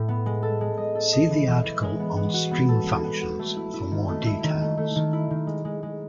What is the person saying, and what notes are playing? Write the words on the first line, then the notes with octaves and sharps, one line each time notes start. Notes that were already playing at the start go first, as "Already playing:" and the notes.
See the article on string functions for more details.
Already playing: A2
B3
G#3
A4
G#3
D#5
A4
D#5
E3
E3
E3
G#3
B3
B3
F#4
B3
A4
B3
B3
F#4
A3
E4
E4
D#3
A3
E4
D#3
A3
A3
D#3
E4
D#3
G#3
G#3
G#3